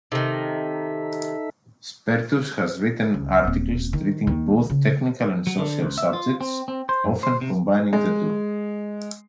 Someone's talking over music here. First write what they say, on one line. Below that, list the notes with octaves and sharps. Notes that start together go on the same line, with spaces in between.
Spertus has written articles treating both technical and social subjects, often combining the two.
C3 D#3 D#4 A4 E5
C#2
D#1 C4
D#3
D#2 D#3
C#3
F#3
D3
C#2
E5
F4
C4
C4
C5
F#2
C5
C3
G#3